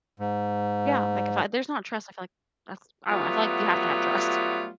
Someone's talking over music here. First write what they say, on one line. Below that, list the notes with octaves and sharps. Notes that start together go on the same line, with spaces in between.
Yeah, like if I if there's not trust, I feel like that's I don't know, I feel like you have to have trust.
G#2
F#3 G3 A3 B3 F4